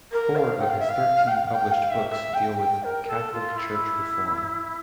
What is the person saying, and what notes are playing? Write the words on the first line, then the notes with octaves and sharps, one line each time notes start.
Four of his thirteen published books deal with Catholic Church reform.
A#4
F5
G5
F5
E5
F5
G5
F5
G5
F5
E5
E5
G5
G5
A#4
A4
F4
E4